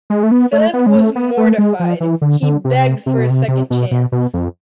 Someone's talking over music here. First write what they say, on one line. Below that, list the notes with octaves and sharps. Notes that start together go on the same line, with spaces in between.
Philip was mortified. He begged for a second chance.
G#3
A3
B3
A3
B3
G#3
A3
B3
A3
G#3
F3
E3
D3
D3
C3
C3
B2
C3
C3
B2
B2
B2
F2